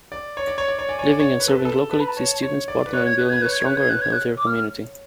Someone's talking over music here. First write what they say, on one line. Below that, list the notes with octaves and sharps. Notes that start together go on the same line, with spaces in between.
Living and serving locally, these students partner in building a stronger and healthier community.
D5
C#5
D5
C#5
D5
C#5
D5 G#5
C#5
D5
C#5
B4
A4
B4
A4
B4 A5
B5
A5
C#5
C#5
D5
B4
C#5 F#6
G#6
B4 F#6
B4 G#6
C#5 F#6
G#6
C#5
B4 F#6
G#6
F#6
C#5
G#6
F#6
D6
F6